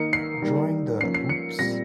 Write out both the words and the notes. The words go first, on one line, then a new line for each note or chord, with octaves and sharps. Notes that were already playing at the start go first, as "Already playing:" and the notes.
During the Oops!...
Already playing: D#3 A#3 D#4 C#7
C7
D#3 G3 A#3 D#4
F3 A#3 C#4 C7
C7
C#7
A#2 G3 C4 A#6